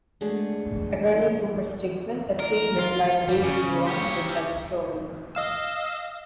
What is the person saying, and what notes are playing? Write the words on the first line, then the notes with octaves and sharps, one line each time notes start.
According to her statement, the King replied Leave me alone with that story.
G#3 A3 B3 D4 G#4
A#4
F4
G3
C#3
G4 C#5
D#5 F5 E6